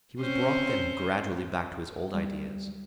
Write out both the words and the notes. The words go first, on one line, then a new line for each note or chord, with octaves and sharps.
He was brought then gradually back to his old ideas.
C4 C#4 C5
G3